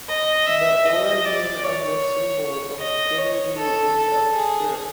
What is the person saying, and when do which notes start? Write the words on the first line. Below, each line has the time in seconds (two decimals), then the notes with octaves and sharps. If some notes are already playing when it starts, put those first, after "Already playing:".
The origin of this symbol of dignity is obscure.
0.09 D#5
0.47 E5
0.86 D#5
1.25 D5
1.64 C#5
2.79 D#5
3.18 C#5
3.58 A4
3.96 A4
4.35 G#4